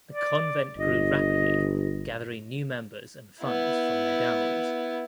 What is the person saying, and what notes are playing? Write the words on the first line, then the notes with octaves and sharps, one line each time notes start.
The convent grew rapidly gathering new members and funds from their dowries.
D5
G1 D#5
B3 E4